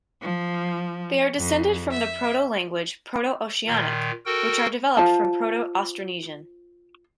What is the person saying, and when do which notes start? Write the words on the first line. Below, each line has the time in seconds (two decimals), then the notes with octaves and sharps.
They are descended from the protolanguage Proto-Oceanic, which are developed from Proto-Austronesian.
0.21 F3
1.37 F2
1.91 E5
3.67 A#2 D#3
4.26 F#4 A4 A#4 G5
4.97 F4 C5 A5